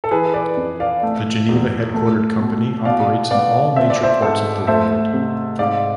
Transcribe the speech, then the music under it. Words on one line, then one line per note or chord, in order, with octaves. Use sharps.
The Geneva-headquartered company operates in all major ports of the world.
A4
E3 G#4 B4
B4 D5
F2
D5 F5
A3
E2
A3
B2
B2 D5 F5
B3 D5 F5
C4 E5
D5
C5 E5
G#2 A4 C5
A3 C5 E5
C3
G#2 D5 F5